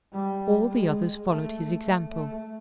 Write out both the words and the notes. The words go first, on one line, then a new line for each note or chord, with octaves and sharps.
All the others followed his example.
G3
G#3
A3
A3
A3